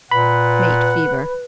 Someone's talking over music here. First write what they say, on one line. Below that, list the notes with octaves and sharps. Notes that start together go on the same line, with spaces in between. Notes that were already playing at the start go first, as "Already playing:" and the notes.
Mate fever.
A#2 B4 F#5 B5